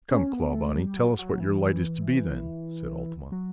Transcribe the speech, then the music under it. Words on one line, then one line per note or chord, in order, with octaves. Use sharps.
"Come, Clawbonny, tell us what your light is to be, then," said Altamont.
C#4
B3
A3
G3
F#3
F#3
E3
F#3